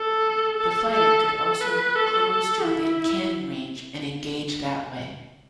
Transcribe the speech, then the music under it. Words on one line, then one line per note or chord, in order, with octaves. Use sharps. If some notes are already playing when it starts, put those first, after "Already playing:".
The fighter could also close to within cannon range and engage that way.
Already playing: A4
A4
A4
A4
B4
A4
A4
E4